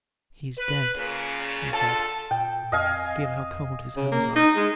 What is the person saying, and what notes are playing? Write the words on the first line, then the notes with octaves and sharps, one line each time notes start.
"He's dead," he said; "feel how cold his hands are."
B4
A#2 C#3
D3 F4 A4 A5
A#2 G5
F2 D#5 F5 G#5
C#3
A#3
D#4
G#3